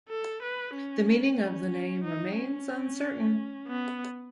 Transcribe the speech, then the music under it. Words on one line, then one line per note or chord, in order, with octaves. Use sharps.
The meaning of the name remains uncertain.
A4
B4
C#4
C#4
D#4
C#4
B3